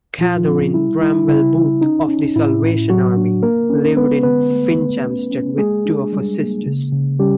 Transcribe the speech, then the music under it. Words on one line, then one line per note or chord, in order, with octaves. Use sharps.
Catherine Bramwell-Booth, of the Salvation Army, lived in Finchampstead with two of her sisters.
A#2 F3 F4
C4
G3 E4
G3 E4
C#3 E4
C#3
C#4 D#4
C#4
A2 E4
A2
A2 F#3 F#4
D4
A#3 A#4
C#4
G#3 B3 B4
D3 B3 B4
A3
A3
C#4
C#4
G#3 A#3 G#4
D4
G3
A#3
C#3
C#3
G3 C#4 G4